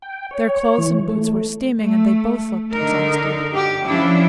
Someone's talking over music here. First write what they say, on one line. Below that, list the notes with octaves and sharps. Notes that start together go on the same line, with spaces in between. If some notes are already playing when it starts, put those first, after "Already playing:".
Their clothes and boots were steaming, and they both looked exhausted.
G5
C#5
E3
A3
A3
D3 D#4 A#4
G4
F3 C#4 D4 E4